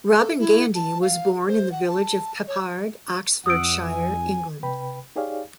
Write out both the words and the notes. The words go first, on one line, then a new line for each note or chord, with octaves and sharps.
Robin Gandy was born in the village of Peppard, Oxfordshire, England.
A4
E4
A5
F5
C5
F#5
A5
C#5
F2 F#5 D#6 E6 D7
G#5
C3 B4 G5 B5
D#4 G4 G#4 C#5 D5 F5